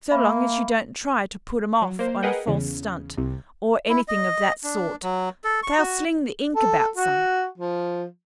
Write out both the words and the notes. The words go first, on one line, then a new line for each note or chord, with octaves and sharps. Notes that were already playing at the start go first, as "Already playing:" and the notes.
So long as you don't try to put 'em off on a false stunt, or anything of that sort, they'll sling the ink about some.
A#3 E5 F5 B5
F#3
A#3 C5
G#4 A#4 B4 D#5 F#5 G5
E2 C#3
C2 C3
E4
D#5
D4
F#3
A4
C#6
F#4
A4
F#4
F3